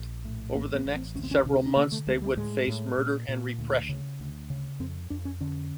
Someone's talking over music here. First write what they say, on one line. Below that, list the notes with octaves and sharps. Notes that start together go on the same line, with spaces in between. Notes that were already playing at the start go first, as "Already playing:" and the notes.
Over the next several months they would face murder and repression.
Already playing: A#1
A2
A1 A#3
B3
A1
C4
D2 C#4
C4
C#4
C3 D4
D4
D3 A#3
A3
D2 G#3
G3
A2 G#3
A2
A#2
A#2
D2
C#3
D2
C#3
F2 C4
F2 D4
C#4
D3 C#4